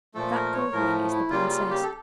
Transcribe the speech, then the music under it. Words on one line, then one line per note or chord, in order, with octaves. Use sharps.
That gold ring is the princess.
A#2 F3 A3 A4
A#4
C#5
A2 F3 A3 A#4
E4
C#3 G3 A#3 F4
F4
G4
A4